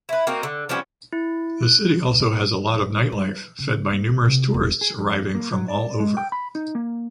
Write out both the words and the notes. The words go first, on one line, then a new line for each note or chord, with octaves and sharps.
The city also has a lot of nightlife fed by numerous tourists arriving from all over.
E4 B4
A#3 C4 D#4 F#4
D3
F3 G3 B3 C#4
E4
F#6
C2
A#2
F2
A#1
E3
C#3
A#3
D#3
C3
E1
G#4
F2
A#3
F#3
D5
G#3
G5
B5
D#4
A#3